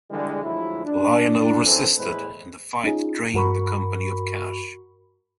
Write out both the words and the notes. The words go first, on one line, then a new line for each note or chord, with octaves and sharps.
Lionel resisted and the fight drained the company of cash.
D3 E3 G3 G#3
D2 F3 F#3 G#3 E4
D4
F#2 D3 E3 C4 A4 C5
E2 A2 G#3 E4 B4 C5
C#4 D#4 F4 G#4
G2 F#4 A#4 B5 C#6